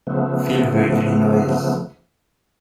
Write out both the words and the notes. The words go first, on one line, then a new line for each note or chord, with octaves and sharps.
Feel the Illinoise!
C#3 F3 A3 B3